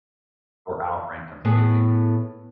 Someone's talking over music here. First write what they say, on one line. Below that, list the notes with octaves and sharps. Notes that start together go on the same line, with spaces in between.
or our friend comes and gets him,
A2 B3 G#4